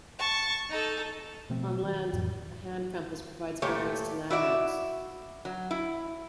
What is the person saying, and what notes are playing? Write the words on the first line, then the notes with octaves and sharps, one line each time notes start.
On land a hand compass provides bearings to landmarks.
A5 C#6
D#4 A4
B2 F3 A3 C4
D#3
F2 A2 E3
A#2 A3 G4 C#5
E4 F#4 D5 E5
F#3
E4